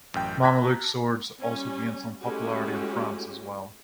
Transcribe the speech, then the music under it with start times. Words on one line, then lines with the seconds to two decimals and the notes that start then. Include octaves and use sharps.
Mameluke swords also gained some popularity in France as well.
0.14 A1 F#2 G5
0.42 A5 A#5 F#6 G#6 A#6 B6
1.41 G3 C#4
2.21 G#3 A3 C#4 E4 F#4 G4